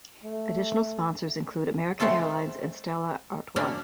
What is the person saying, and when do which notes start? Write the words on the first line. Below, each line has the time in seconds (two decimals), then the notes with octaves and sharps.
Additional sponsors include American Airlines and Stella Artois.
0.24 A3
2.00 G#3 A3 C4 F4 A4
3.56 F#3 A#3 C#4 D4 F#4